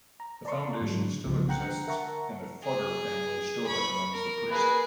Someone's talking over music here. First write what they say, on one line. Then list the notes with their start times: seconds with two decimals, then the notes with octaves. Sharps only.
The foundation still exists and the Fugger family still recommends the priest.
0.20 A#5
0.45 D5 A5 A#5 C6 C#6
0.81 G#2 D3 F#3 G#3
1.26 C2 C#3 F3
1.48 D3 F#5 G5 A#5 F#6 C#7
1.88 A#4 E5 F#5 A5 A#5 C#6
2.64 G#4
3.67 B5 C#6
4.13 A#4
4.51 A#3 G#4 B4